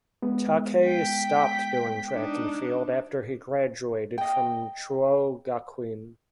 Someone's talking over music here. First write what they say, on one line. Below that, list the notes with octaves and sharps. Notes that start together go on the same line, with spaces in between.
Takei stopped doing track and field after he graduated from Chuo Gakuin.
G#3 B3
G5 B6
D4 D#4
D#5 G5